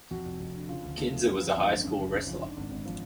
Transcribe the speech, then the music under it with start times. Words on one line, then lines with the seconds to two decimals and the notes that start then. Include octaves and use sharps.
Kinser was a high school wrestler.
0.11 F2 F#4
0.25 F1
0.40 F1
0.55 D3
0.69 C#3 F4
0.83 D2
0.97 D2 A3
1.12 F3
1.26 F#2 B3
1.40 F3
1.55 G#1
1.70 D3
1.84 F#2 C#4
1.98 F#1
2.13 F#1 D4
2.27 F3
2.41 G#2 D4
2.57 G#1
2.70 G#1
2.85 F3